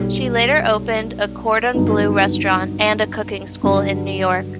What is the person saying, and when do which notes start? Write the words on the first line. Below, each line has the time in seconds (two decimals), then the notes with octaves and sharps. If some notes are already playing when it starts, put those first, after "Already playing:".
She later opened a Cordon Bleu restaurant and a cooking school in New York.
Already playing: B1 B2 G3
1.74 G2 D3 F#3 B3 D#4
3.63 G2 D3 F#3